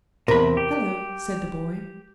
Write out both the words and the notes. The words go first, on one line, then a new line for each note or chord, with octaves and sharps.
"Hello," said the boy.
E2 C3 A#4 B5
G4